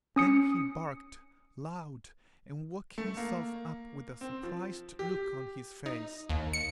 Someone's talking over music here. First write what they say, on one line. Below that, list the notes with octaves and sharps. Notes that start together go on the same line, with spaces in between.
Then he barked, loud, and woke himself up with a surprised look on his face.
C#4 D#6 C#7
A3
A#3
C4
F3
G4
D#4
D#2
C#7